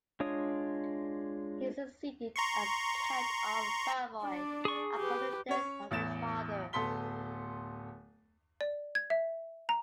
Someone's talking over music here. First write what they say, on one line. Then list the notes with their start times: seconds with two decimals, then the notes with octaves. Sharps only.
He succeeded as count of Savoy upon the death of his father.
0.20 G#3 D4 F4 C#5 D#6
2.36 A#5 C6 C#6
4.24 D4 D5
4.65 G#4 C#6
4.97 G4 B4
5.49 C#4 C#5
5.91 A1 E2 A6 E7
6.73 D1 B3 A4 C6 B6 G7
8.61 D5
8.95 G#6
9.10 E5
9.69 A#5